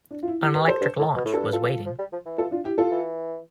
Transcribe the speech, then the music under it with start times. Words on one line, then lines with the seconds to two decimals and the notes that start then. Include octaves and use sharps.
An electric launch was waiting.
0.11 D4
0.23 F4
0.28 E4
0.41 E4 G4
0.54 G4 B4
0.68 A4 C5
0.81 G2
0.98 A2
1.15 B2
1.25 A2
1.33 G2 A4
1.43 B4
1.53 F4 A4
1.86 F3
1.99 G3
2.12 F3
2.26 E3
2.38 F4 A4
2.51 D4 F4
2.64 E4 G4
2.78 F4 A4
2.91 E3